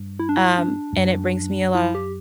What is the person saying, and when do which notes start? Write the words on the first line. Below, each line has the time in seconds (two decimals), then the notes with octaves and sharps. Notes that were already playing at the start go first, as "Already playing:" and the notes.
um, and it brings me a lot
Already playing: G2
0.19 E4
0.29 D4
0.37 E4
0.58 D4
0.93 G2
0.97 F#2
1.75 E4
1.95 G4